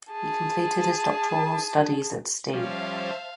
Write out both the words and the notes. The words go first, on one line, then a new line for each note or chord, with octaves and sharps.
He completed his doctoral studies at Ste.
G#4 A5
F3 G3 C#4 C5 E5 F5 A5